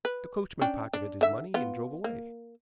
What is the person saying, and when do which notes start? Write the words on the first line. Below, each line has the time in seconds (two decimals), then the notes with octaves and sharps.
The coachman pocketed his money and drove away.
0.05 B4
0.61 C#4 D4 G5
0.93 D4
1.21 D3 E5
1.54 B3 F4
2.04 A#3